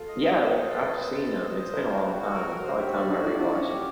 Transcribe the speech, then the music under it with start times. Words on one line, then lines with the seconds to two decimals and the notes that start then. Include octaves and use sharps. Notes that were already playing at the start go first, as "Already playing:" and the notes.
Yeah, the the I've seen 'em. It's been a long time. It's probably time I rewatched 'em.
Already playing: F4 A4
0.08 D#5
0.23 D#5
0.38 D#5
0.53 F4
0.68 A4
0.75 C5
0.83 B4 D#5
0.98 C5
1.14 A4
1.28 C5
1.43 D#5
1.59 C5
1.73 A#4 B4
1.88 F#4
2.04 F#4
2.19 F#4
2.34 A#4
2.49 A#4
2.64 F#4 C5
2.79 F#4 G4
2.94 D4 D5
3.10 D4 F#4
3.24 E4 D5
3.39 D4 F#4
3.54 C#4 G4
3.69 G4